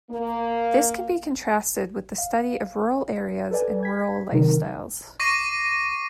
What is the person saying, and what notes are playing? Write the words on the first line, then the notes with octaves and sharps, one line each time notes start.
This can be contrasted with the study of rural areas and rural lifestyles.
A#3
F5
A4 B4 D5 G#5
G#6 B6
C3 D#3 F#3 D#4 A#4
C#6 D6 A#6 C7 D#7